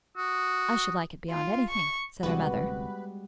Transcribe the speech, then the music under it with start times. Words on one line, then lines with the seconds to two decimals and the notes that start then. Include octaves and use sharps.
"I should like it beyond anything!" said her mother.
0.17 F#4 D#6
1.30 F4
1.70 C#6
2.23 D2 C3 G3 G#3 B3 F#4 G4 B4